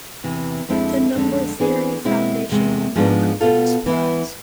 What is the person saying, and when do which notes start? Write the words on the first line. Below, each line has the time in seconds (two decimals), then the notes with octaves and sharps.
The Number Theory Foundation will now cover this prize.
0.24 E2 C3 E3
0.69 F2 D3 G#3 C4 E4
1.15 F2 D3 G#3 D4
1.59 E3 B3 D4 G#4
2.05 B2 G#3 C4 E4
2.49 E2 C3 G#3
2.96 G#2 F3 G#3 B3 D4
3.41 B2 B3 F4 A4
3.86 E3 B3 E4